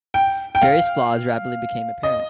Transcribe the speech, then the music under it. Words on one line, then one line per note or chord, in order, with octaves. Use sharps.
Various flaws rapidly became apparent.
G5
G5
F5
D#5